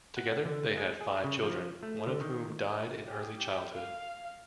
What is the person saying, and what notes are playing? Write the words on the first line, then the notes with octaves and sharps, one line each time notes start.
Together, they had five children, one of whom died in early childhood.
F#5
D3
G#3
G#4
C#3
F3
A3
D3
D#3
G4 G#4
G4
F5